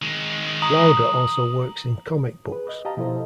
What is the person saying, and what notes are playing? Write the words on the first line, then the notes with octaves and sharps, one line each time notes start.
Lowder also works in comic books.
D#3 G#3
A#5 D#6 F#7
G#4 B4
D#5
G4 D#5 F5 A5 A#5
B2 F3 E4 A4 C5 D#5